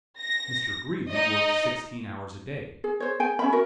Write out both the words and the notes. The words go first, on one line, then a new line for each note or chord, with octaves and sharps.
Mr. Greeley worked sixteen hours a day.
A#6
D#4 D#5
G#4
C5 C#5
G#4 G5 G#5
C#4 E5 B5
F#4 A#4 E5